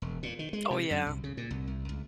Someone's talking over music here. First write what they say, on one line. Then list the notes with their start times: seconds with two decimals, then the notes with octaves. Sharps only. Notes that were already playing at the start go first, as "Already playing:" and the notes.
Oh, yeah.
0.02 E1
0.23 A#2
0.39 D#3
0.53 G#3
0.70 C3
0.91 F#2
1.06 C2
1.24 C#3
1.37 A#2
1.51 C2
1.68 C2
1.89 C#2